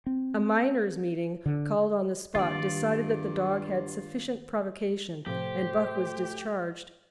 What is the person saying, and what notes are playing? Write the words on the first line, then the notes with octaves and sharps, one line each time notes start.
A "miners' meeting," called on the spot, decided that the dog had sufficient provocation, and Buck was discharged.
C4
D3
G2 D#3 A#3 F4 D5
A2 C3 F3 A3 G4 C5